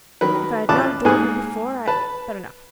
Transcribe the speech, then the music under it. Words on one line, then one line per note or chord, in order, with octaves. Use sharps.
If I had not adored her before I--but enough.
D#3 F#3 A#4 B4
C#4 E4 F4 A5 D6 F#6
G#2 A#3 G#4 G#5 D#6 F#6
B4 A5